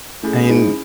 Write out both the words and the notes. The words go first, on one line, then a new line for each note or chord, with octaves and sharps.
I in
A2 C#4 E4 G#4
G#2